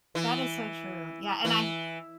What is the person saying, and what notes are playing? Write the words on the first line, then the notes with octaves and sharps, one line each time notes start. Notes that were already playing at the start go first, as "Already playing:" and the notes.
That is so true. Yeah, and I
E3
E3